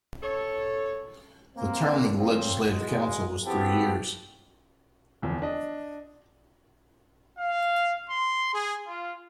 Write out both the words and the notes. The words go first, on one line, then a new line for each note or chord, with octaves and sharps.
The term of the legislative council was three years.
A4 C#5
A#3 C4
C#3 F3 C4
E2 B2 G#3
B3 C4 E4 F#4 G4 A4
D1 E2 F3
D4 D#5
F5
C6
G#4
F4